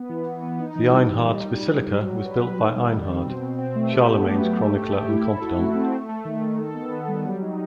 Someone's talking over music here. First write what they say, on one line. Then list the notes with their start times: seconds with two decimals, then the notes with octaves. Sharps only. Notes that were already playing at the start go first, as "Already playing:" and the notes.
The "Einhards-Basilika" was built by Einhard, Charlemagne's chronicler and confidant.
Already playing: B3
0.09 E3
0.26 E3
0.42 B3
0.60 D#4
0.76 E3
0.92 G3
1.09 D#4
1.25 G3
1.43 G3
1.59 G3
1.75 G3
1.93 F#3
2.08 F#3
2.25 B4
2.42 B4
2.59 D#3
2.76 G3
2.92 G3
3.09 C4
3.25 B2
3.42 B2
3.58 C4
3.75 A3
3.92 G4
4.09 B3
4.25 F#3
4.42 G4
4.59 A3
4.75 A3
4.92 G4
5.08 E4
5.25 A4
5.42 F#4
5.58 A3
5.75 C4
5.92 A3
6.09 A3
6.25 D#3
6.41 D#3
6.58 A4
6.75 B3
6.92 B3
7.08 G3
7.25 F#3
7.42 D#4